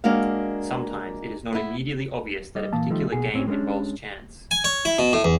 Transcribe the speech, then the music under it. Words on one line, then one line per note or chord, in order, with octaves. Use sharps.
Sometimes it is not immediately obvious that a particular game involves chance.
G#3 A#3 D4 F#4 F5
B3 E4
G3 D#5
A#2 E3 A#3 A5
D#3 F3 G3 A3 D#4
B1 B2 G#4
A2 C4 C#4
G#3 A#3 B3 C#4 D4
G#5
C#5
E4
B2
A2
E2